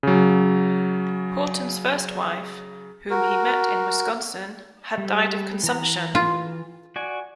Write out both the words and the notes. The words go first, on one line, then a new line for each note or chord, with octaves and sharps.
Horton's first wife, whom he met in Wisconsin, had died of consumption.
C#3 F#3
F#4 A#4
G3
E3 A#5
F4
F#4 D5 G#5